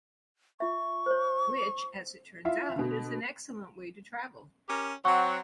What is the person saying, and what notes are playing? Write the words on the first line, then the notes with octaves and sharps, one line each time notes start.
Which, as it turns out, is an excellent way to travel.
F4 E5 C#6
C5 C#5
E4 F4 E5 F5
B2 D3
C#4 G4 A#4
F#3 C4 F#5 C#6